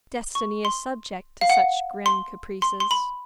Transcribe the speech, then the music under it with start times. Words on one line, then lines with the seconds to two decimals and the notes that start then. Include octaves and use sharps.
Destiny is subject to such grim caprices.
0.35 C#6
0.65 C6
1.41 F5
1.50 F#5
2.06 C6
2.62 C6
2.80 C6
2.91 B5